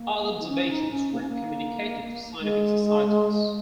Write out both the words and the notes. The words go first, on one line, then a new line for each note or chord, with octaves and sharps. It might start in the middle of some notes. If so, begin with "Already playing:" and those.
Other observations were communicated to scientific societies.
Already playing: A#3
D#4
C#4
D#4
C#4
A#3
C#4
A#3
G#3